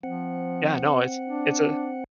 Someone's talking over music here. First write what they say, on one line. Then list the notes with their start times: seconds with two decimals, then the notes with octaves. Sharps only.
yeah, no, it's it's a
0.03 F3 C4 F#5
1.28 D4